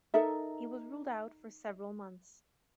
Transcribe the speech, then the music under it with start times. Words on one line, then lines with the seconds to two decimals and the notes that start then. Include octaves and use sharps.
He was ruled out for several months.
0.14 D#4 A4 A#4 E5